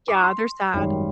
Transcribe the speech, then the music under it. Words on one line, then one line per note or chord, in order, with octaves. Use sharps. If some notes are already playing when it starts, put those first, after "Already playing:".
Yeah, they're sad.
D6
C#6
C6
G#1 F#2 D#3 G3